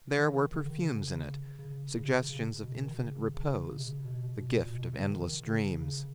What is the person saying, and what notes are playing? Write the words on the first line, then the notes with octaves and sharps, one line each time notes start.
There were perfumes in it, suggestions of infinite repose, the gift of endless dreams.
D#3
C#3
D#3
C#3
C#3
C#3
B2
C#3
C#3
B2
D#3
C#3
C#3
C#3
B2
C#3
B2
B2
A#2
B2
C#3
D#3
C#3
C#3